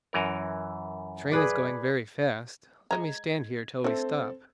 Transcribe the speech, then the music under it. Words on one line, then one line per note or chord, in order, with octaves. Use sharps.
"The train is going very fast, let me stand here till we stop."
F#2 E3 A#4
G#4 B4 D5
G#3 D#5 A#5 G#6
D3 A3 C4 A4